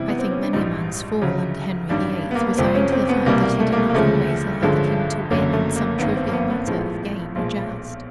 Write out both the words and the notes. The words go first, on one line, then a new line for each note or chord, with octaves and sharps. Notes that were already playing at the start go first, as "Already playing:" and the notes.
I think many a man's fall, under Henry VIII, was owing to the fact that he did not always allow the king to win in some trivial matter of game or joust.
Already playing: E2 C3 E3 G3 E4
B3
C4
C#4
D4
A#1 G#2 E3 G3 D#4
D2 C#3 F#3
A1 G2 D#3 G3 D4
B3
A#3
F1 F2 C3 F3 C4
C#4
C4
B3
C2 B2 G3 A#3
A#3
A3
A#3
A3
A#3
D2 C#3 F3 G#3 A3
A1 G2 D3 F3 G#3
F#1 F#2 D3 F#3 A#3
A3
A#3
G#1 G2 D#3 B3
C4
A#3
B3
B3
A#1 A2 F3 G#3
B1 A#2 F3 G#3